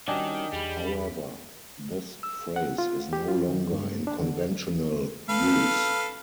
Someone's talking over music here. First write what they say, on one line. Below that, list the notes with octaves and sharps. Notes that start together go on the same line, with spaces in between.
However, this phrase is no longer in conventional use.
D#3 G3 C#4 D4 F#4 D#5 G5 G#5
E2 G3 G#4 B5
E6
F#5
F4
G4
F4
D#3
G2
D4
D3
A4 B4 F5